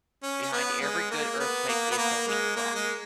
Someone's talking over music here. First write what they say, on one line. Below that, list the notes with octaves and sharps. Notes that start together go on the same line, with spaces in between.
Behind every good earthquake is some weak rock.
C#4
C#4
B3
G#3
A#3
B3
A#3
B3
A#3
G#3
A#3
G#3